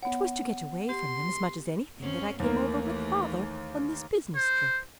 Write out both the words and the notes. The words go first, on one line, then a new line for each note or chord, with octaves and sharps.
"It was to get away from them, as much as anything, that I came over with father on this business trip."
B3 C#5 F#5
G4 C6
F#2 C4 C#4
D#2 E3 A3 A#3
C5